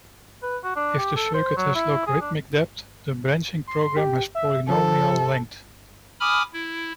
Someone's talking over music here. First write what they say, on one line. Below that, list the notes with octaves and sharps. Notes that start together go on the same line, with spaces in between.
If the circuit has logarithmic depth, the branching program has polynomial length.
B4
F#4
D4
G4
A4
C5
F#3
E4
G#4
D4
C6
G4
E5
F3 A4
G#5 B5 D6 D#6 F6
E4